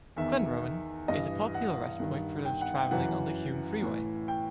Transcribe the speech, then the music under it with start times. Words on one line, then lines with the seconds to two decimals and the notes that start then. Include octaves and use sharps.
Glenrowan is a popular rest point for those travelling on the Hume Freeway.
0.16 E2 D#3 E5
1.08 G2 E3 D#5
1.55 F#5
2.00 G2 D#3
2.45 G5
2.61 F#5
2.76 G5
2.91 F#2 E3 F#5
3.82 A2 E3
4.28 G5